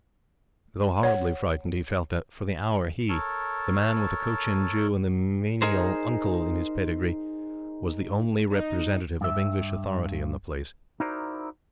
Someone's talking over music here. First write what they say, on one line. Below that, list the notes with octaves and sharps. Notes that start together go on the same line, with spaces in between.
Though horribly frightened, he felt that, for the hour, he, the man with the Cochin Jew and the menial uncle in his pedigree, was the only representative of English authority in the place.
C#5 F#5
A4 A#4 C#5 A5
D#4 G#4 A#4 C5
D#4
G2 E5
D#4 E4 F#4 A#4 C5 D5